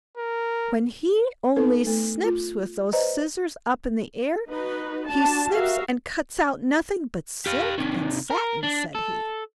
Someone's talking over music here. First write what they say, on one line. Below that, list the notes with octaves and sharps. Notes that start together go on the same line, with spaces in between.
'When he only snips with those scissors up in the air he snips and cuts out nothing but silk and satin', said he.
A#4
B3 C4 D#4 A4 B4
A3 A4
F4
B4 C5 D5 D#5 A#5
D#4 F#4 B4
D4 F#4 A5
F#4 G4 A#4 E5 F5
G4 F5
C3 D#3
A#4
D4
A4